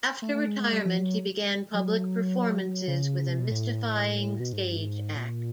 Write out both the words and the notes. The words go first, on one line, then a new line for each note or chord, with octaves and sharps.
After retirement, he began public performances with a mystifying stage act.
A3
A3
G#3
G#3
G3
F3
F#3
F#3
C#3
C3
B2
A2
B2
G#2
G2
G#2
A#2